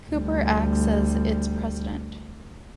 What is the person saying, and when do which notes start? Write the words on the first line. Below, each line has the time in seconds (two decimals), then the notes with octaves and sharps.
Cooper acts as its president.
0.10 D2 G3